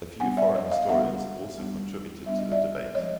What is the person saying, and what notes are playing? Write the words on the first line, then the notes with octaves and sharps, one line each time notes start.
A few foreign historians also contributed to the debate.
G3 B3 D4 F#5 G#5
D5 E5
C#5 D#5
D#5 F5
G3 B3 D4 E5 F#5
G3 B3 D4
G3 B3 D4 E5
D#5
D5 E5
F3 G#3 C4 C#5 D#5